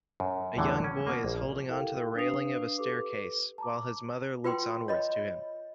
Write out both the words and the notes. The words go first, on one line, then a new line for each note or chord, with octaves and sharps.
A young boy is holding onto railing of a staircase while his mother looks onwards to him.
F#2
E2 A2 D3 E3 G3
C#4
B2 A#3
A#1
E4 G4 A4 A#4 F5 G5
D4 B4 F5 D#6 C7 F7
G4 A4 B4 D6
A5 A#5 D6
F4 B4 G5 C6
C#5 D#5 B5